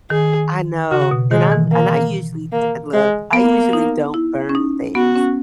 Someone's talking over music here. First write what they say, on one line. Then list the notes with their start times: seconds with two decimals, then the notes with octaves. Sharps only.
I know, and I'm and I usually d look, I usually don't burn things,
0.10 D#3 G#4
0.91 C#3 F#4
1.11 B2
1.31 D#3 G#3
1.52 E3
1.72 A#3
2.52 A#3
2.94 G#3
3.33 A#3 B3
3.73 D#4
4.14 E4
4.49 C#4
4.55 D#4
4.95 B3 F#4
5.16 C#4